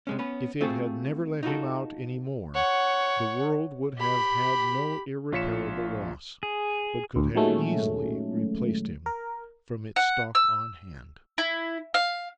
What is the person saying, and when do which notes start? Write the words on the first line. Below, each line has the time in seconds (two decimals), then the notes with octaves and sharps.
If it had never let him out any more, the world would have had no irreparable loss, but could have easily replaced him from its stock on hand.
0.07 C3 G#3 C#4
0.19 B3 C#4 B4
0.61 A3 C4 F4 F#4 G#4 A4
1.43 D#4 F4 F#4 A4
2.54 C#5 F#5
3.97 G4 B5
5.32 A#1 F4 C#5 B6 C#7 E7
6.43 G#4
7.16 D2
7.35 A#2 D#3 F#3 G#3 A3 C#4
9.06 A#4
9.96 F#5
10.35 E6
11.38 E4
11.94 F5